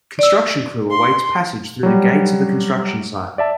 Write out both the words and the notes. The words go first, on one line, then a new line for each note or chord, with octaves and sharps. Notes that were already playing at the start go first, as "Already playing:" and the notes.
Construction crew awaits passage through the gates of a construction site.
D5 E6
C6
F#3 G3
D5 E5 A5